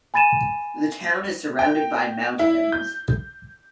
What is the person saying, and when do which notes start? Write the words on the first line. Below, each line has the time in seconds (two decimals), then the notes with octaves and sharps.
The town is surrounded by mountains.
0.14 G#5 B5 A6 D#7 E7
1.59 G5
2.39 E4
2.72 G6